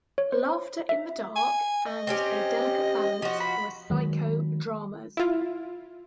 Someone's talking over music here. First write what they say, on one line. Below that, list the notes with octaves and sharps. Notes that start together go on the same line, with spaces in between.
"Laughter in the Dark" and "A Delicate Balance" were psycho-dramas.
C#5
C5
E5
G#5
D#5
C4 C#4 G4
F3 F#4
B5
D#3 F#3 G#3
E4 F4